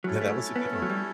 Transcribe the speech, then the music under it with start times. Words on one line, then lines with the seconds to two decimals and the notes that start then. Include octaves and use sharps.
Yeah, that was a good one.
0.04 F#3 C#4 E4 A4 C#5
0.21 A3
0.56 B3
0.73 A3
0.82 F#3
0.90 G3